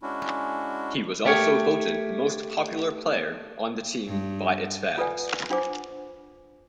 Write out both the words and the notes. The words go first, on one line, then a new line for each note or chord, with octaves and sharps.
He was also voted the most popular player on the team by its fans.
G#3 C#4 D4 E4 F#4
A3 G4 A#4 C#5
G2
F4 A4 B4 D5 F#5 G#5
D4 F4 C5 F#5 G#5 D6